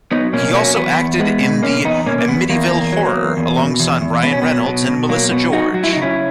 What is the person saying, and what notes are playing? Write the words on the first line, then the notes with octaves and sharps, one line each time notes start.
He also acted in "The Amityville Horror" alongside Ryan Reynolds and Melissa George.
F#3 B3 D#4
B2 A#3 C#4
F#3 A#3 C#4
E2 B3
E2
G#3 B3
B2
B2 A#3 C#4
E2 B3 D#4
B2 A#3 C#4
A#3
E2 B3
E2 A#3
E2
F#3
E2
E2
B2
E2
E2
B2 B3
C#4
F#3 B3
B2
B2
F#3 A#3
B2 B3
F#3 D#4 F#4
F#3 F#4
E4
C#3 D#4
C#4 E4